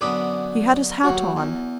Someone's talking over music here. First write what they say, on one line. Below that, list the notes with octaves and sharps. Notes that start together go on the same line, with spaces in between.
He had his hat on.
F#2 D3 B3 B5 D6 D#6
D#2 F#3 F#4
E2